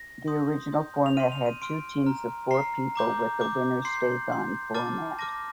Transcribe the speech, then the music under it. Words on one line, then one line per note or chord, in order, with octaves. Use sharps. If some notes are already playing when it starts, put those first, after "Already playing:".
The original format had two teams of four people with a winner-stays-on format.
Already playing: A#6
C6 D#6 G6
C6 D#6 G6
F7
C6 F6 D#7
F7
D#7
C6 F6 D7
A#5 F6
A#5 F6 C7
A#5 D6 G6
A#5 D6 G6
C6 G6 C7
C6 G6
A5 D6 F6 A6
A5 D6 F6 A#6